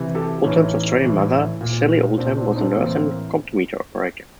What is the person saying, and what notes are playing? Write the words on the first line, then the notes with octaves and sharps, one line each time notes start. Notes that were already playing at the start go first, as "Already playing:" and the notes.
Oldham's Australian mother, Celia Oldham, was a nurse and comptometer operator.
Already playing: C3 E3
G4 A4
A2 E3 C#4 D#4
A2 E3
A#2
A#2 C4 D4
C4 D4
D#4
C4 D4
A2 E3 A#3 C4